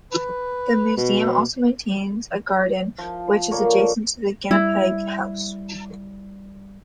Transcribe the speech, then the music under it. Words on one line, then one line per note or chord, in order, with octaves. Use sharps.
The museum also maintains a garden, which is adjacent to the Guinep House.
B4
B2
F3
D3 A#3 C#5
G3 E4